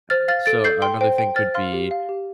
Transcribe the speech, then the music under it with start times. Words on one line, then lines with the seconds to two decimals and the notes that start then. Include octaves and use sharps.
Uh, so another thing could be,
0.10 C5 F6 A6
0.28 F5 F6 A6
0.46 A4 A6 D7
0.64 A4 G6 C7
0.82 G5 C6
1.01 C5 G5
1.18 G5
1.36 C5 F6 A6
1.54 F5 C6 F6
1.73 G4
1.91 F5
2.09 G4